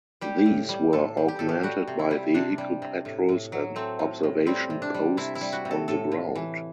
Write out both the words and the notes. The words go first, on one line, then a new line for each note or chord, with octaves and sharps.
These were augmented by vehicle patrols and observation posts on the ground.
G3 G4
A2
G3
A2 A4
G3
G4
A2 A4
G4
G3 F#4
C3
E4
G3
C3 D4
G3
C3
A2
A2
F#3
A3 C4
A2
A2
G3 C4
C3
D4
G3
C3 E4
E4
G3
F#4
C3
A4
A2 A4
A2
E3